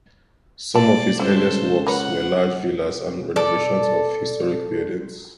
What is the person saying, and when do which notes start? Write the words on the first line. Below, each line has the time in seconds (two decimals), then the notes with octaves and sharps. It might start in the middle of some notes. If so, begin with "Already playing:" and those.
Some of his earliest works were large villas and renovations of historical buildings.
0.75 E3 D5 A5
1.20 C#2 A3 D4 A4 C5
1.87 A#4 B4 C#5 F#5
3.36 A4 D5